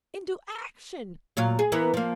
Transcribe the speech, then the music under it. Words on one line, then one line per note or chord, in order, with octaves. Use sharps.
Into action!
A#2 F#3 F5
G#4
E3 A#3 B3
F3 A#3